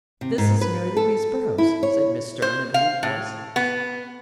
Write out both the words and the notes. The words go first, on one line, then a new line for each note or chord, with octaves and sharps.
"This is Mary Louise Burrows," said Miss Stearne, in a weak voice.
C3
G#2
B4
A4
E4
C#5
C5
F5
A2
B3